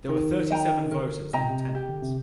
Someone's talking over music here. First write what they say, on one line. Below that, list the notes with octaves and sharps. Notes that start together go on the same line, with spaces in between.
There were thirty-seven voters in attendance.
D#3 A#4
D#5 G5 A#5
D#3
D3 A#4
C3 D#5 G5 A#5
A#2
C3
G4
D3
C3